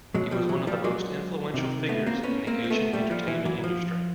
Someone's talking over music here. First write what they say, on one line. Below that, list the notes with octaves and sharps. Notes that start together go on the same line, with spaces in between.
He was one of the most influential figures in the Asian entertainment industry.
B2 F#3 G#3
F3 G3
E3 F#3
F3 G3
F#3 G#3
C3 D#3
A3 B3
A#3 C4
B3 C#4
A#3 C4
C4
A3 B3
A#2 G3 A3
F3 G3
E3
E3 F#3
F3